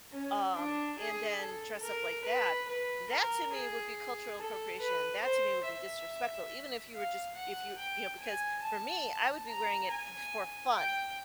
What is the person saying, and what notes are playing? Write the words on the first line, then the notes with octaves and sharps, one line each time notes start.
um, and then dress up like that, that to me would be cultural appropriation, that to me would be disrespectful even if you were just if you you know, because for me, I would be wearing it f for fun.
C#4
D4
G#4
A4
A#4
B4
B4
A#4
G#4
A4
B4
C5
E5
F5
F#5
G5
G#5
A5
A#5
G#5
G5